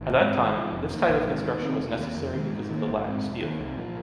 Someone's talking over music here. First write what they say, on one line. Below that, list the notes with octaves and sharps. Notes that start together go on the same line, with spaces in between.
At that time, this type of construction was necessary because of the lack of steel.
G#1
G#2 G#3 C4
G#1
G#2 F3
F1
D#2 D#3
A#1
G#2 D#3
D#2
D#3 C4
F1
D#2 D#3 A#3
F2
D#3 G#3
G#2
D#3 A#3
A#1
G#2 G#3 C4
F1
D#2 D#3
C2
A#2 F3 A#3